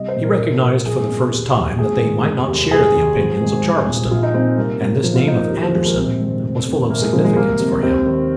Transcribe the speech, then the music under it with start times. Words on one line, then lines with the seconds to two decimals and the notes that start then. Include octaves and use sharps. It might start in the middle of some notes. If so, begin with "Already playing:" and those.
He recognized for the first time that they might not share the opinions of Charleston, and this name of Anderson was full of significance for him.
Already playing: C2 D#5
0.08 C5
0.16 A#2
0.24 A#4
0.39 A#1
0.62 A#2
0.86 A#1 G#4
1.09 A#2
1.32 D#2
1.56 D#3
1.78 G#1 G#4
2.02 G#2 D#3
2.25 F1
2.48 D#2 D#3
2.71 F1 G#4
2.95 D#2 D#3
3.18 G#1
3.42 G#2 D#3
3.64 C2
3.87 A#2
4.11 A#1 F4
4.23 D#4
4.34 A#2 C4
4.57 C2 A#3
4.80 A#2
5.03 A#1 F3
5.15 F4
5.27 A#2 D#4
5.39 A#3
5.50 D#2
5.62 F3
5.74 D#3 G#3
5.85 A#3
5.97 A#1 C4
6.20 G#2 D#3
6.43 F1
6.66 F2 D#3
6.90 A#1 A#3
7.01 G#3
7.13 G#2 D#3 F3
7.24 G#3
7.36 C2 A#3
7.59 C3 D#3
7.83 D#2 C4
8.06 D#3